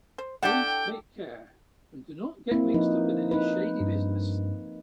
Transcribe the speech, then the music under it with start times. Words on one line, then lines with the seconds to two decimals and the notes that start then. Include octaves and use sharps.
Please take care and do not get mixed up in any shady business.
0.18 C5
0.43 D4 E4 G4 A4 F#5 G5
2.52 A#3 C4 E4
2.74 F3 D#4 B4
3.31 D#4 B4
3.80 G2